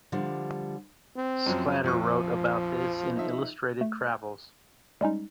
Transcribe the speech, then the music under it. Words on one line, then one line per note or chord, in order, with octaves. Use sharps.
Sclater wrote about this in "Illustrated travels".
D3 F3 G3
C4
F#2 F3 F#3
A#1 F2 F3 C#6
D#4 E5
A3
G3 G#3 C#4 D#4